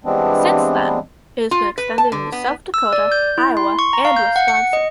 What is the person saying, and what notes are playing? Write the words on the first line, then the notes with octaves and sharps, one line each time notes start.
Since then, it has been extended into South Dakota, Iowa, and Wisconsin.
E3 G3 G#3 B3 C4 D4
F4
B4
A5
D3
B3
E6
D5
G6
E4
C6
C#6
A#5
F5
G6
F#5
C#7
D#5